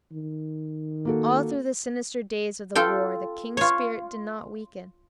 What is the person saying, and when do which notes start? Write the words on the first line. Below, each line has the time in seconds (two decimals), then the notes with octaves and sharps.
All through the sinister days of the war the King's spirit did not weaken.
0.12 D#3
1.05 A#3 F#4 A4
2.75 F4 A4 G5
3.57 F4 C#5